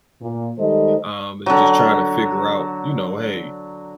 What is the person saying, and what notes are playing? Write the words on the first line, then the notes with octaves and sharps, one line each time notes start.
um, is just trying to figure out, you know, "Hey,
A#2
D#3 G3 G#3 A4 C5 D#5
D3 F#3